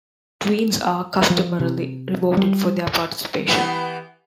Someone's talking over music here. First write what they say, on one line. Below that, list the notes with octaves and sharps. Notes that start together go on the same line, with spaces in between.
Twins are customarily rewarded for their participation.
F3
C3
G3
E3 B3 G4